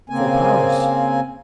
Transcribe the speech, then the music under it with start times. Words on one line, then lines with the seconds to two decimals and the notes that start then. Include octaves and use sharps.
"For Paris."
0.10 C#3 A#3 C4 G#5